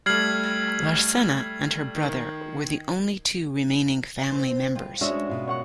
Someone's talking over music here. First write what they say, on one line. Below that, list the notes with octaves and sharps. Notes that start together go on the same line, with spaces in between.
Larcena and her brother were the only two remaining family members.
G3 A3 F6 G#6 C7 F#7
D#3
C4 C5
G3 F4
G#3 C#4 D4 F#4 C#5 E5
B2 F4
C#5 F#5 C#6